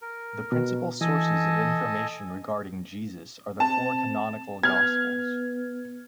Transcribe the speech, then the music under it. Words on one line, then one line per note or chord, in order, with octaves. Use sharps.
The principal sources of information regarding Jesus are the four canonical gospels.
A#4
B2
E3 A4 D#5 G#5
C4 A5
B3 F6 G#6